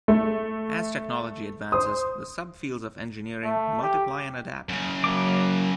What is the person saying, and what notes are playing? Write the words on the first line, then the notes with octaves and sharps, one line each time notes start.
As technology advances, the subfields of engineering multiply and adapt.
A3
C5 D#6
A3
G4
F#2 C#3
F#3 A#3 D6